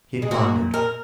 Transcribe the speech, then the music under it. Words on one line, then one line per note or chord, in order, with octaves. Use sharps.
He pondered.
G#3
A#2 A#3 F#4
A#4